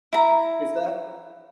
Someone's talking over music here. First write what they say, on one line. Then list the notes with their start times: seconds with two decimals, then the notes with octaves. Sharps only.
is that
0.13 E4 A#5